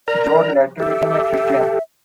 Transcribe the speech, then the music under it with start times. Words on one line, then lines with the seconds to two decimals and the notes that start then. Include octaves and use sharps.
Joad later became a Christian.
0.08 A#4 D5 A#5
0.80 G4 A4 E5